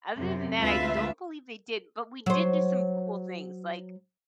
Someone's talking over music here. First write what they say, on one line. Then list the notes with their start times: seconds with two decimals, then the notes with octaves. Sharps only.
other than that, I don't believe they did, but we did do some cool things, like,
0.18 F#2 C3
0.60 D2 G#3 F4 B4 E5
2.26 F#3 C5